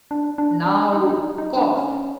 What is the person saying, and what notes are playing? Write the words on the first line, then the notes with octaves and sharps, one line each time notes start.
"Now cough."
D4
D4
D4
D#4
D4
D#4
D#4
D4
C#4